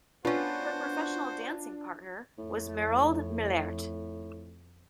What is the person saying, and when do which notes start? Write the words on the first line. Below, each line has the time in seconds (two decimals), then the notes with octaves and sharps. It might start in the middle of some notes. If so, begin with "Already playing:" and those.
Her professional dancing partner was Mairold Millert.
0.25 B3 C#4 D4 F4 F#4 C5
2.39 F2 A2